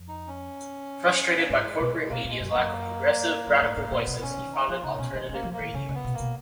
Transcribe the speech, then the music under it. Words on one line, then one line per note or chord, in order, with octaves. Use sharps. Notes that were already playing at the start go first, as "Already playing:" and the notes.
Frustrated by corporate media's lack of progressive, radical voices, he founded Alternative Radio.
Already playing: F2
D#4
C#4
A#3
G#2 G#3
B2
B2 A#3
A#2
G#3
F#2
F#2 A#3
F#2
G#2
G#2
A#2 B3
B2
B2 C#4
D#3
D#4
F3 F4
C#3 D#4
B2 C#4
D#3 G#3
A#3 C#4
F3
A#3
D#3
C#3 C#4
C#3
B3
B2
A#3
B2